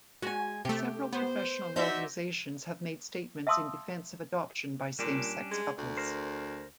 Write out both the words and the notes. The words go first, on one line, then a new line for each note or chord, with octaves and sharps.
Several professional organizations have made statements in defense of adoption by same-sex couples.
G#3 F#4 G#5
C3 A3 G4
B3 C5
D#4 F#4 C5 D5 E5 G6
E5 F5 A5 C6 D#6 E6
A#2 G3 C#4 D4
G#3
D2
A#4 C5